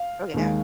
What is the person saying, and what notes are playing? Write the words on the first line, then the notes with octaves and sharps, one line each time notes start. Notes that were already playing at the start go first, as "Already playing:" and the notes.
Oh, yeah.
Already playing: F5
D#2 D#3 G#3